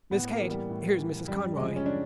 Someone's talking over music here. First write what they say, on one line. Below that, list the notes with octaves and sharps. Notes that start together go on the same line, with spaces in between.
"Miss Kate, here's Mrs. Conroy."
A2 B3
A#3
E3
G3
A2
E3
F#2 G3
C#3 F3 G#3
C#4
D4